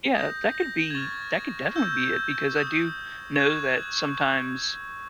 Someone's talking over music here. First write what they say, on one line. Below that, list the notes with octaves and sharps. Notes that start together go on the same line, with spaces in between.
Yeah, that could be that could definitely be it because I do know that sometimes
D#6 G6 A#6
A#6
G#6
C#6 F6 A6
C#6 E6 G6
D#6 G6
C#6 F#6 G#6